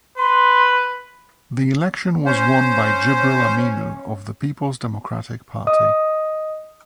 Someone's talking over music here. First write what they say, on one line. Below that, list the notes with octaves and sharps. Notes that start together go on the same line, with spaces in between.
The election was won by Jibril Aminu of the Peoples Democratic Party.
B4 C6
C#4 C5
D#5 D#6